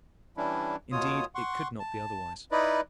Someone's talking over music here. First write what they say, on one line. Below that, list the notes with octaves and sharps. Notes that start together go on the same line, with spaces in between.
Indeed, it could not be otherwise.
E3 G3 C#4 D4 E4
D#2 B2 F4 C#5 D#6
F#5 C6 C#6
A5
D#4 E4 B4 D5 D#5